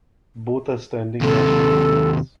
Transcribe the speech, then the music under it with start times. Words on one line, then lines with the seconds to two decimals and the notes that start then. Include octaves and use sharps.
Both are standing national records.
1.21 D#2 C3 A4